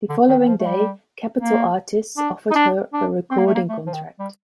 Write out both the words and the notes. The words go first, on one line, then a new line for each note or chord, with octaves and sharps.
The following day, Capital Artists offered her a recording contract.
D3
D#3
D#3
F3
A3
G3
A#3
D4
D#4
D4
D4
C4
A#3
A3
A#3
A3
F3
D#3
G3